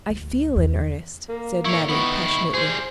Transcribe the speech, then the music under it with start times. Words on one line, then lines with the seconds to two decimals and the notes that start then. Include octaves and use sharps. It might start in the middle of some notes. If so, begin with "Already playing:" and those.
"I feel in earnest," said Mattie, passionately.
0.10 D2
0.56 E2
1.29 A#3
1.65 E4 C#5 C#6
1.89 D#3 B3 E4
2.54 G3 G#4 C5